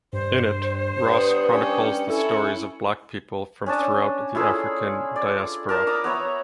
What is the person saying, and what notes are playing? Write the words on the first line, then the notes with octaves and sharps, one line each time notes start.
In it, Ross chronicles the stories of black people from throughout the African diaspora.
G2 C5
G2 B3 D#6
C#4 G4
C#4 E4 A4
C#4 D4 A5 D#6
E4 F4 G#4 A4
D5
A#4 A5 A#5
A#5 B5 D6 D#6
B3 C#5 E5 A#5